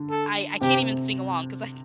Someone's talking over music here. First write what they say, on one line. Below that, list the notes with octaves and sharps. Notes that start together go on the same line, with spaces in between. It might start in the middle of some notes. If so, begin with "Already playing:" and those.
I I I can't even sing along 'cause I I
Already playing: D3
A4
C3 G4